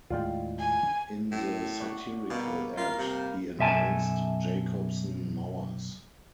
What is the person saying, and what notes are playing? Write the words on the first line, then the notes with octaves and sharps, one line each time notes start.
In the satirical ad, he announced: Jacobsen Mowers.
D#2 A2 G#3 F4 D5 G5
G#5
A2
D5 F#5 C#6
B2 G3 A#3 F5
A#3 F4 A#4
C3 F5
B1 F#2 E5 G#5 A5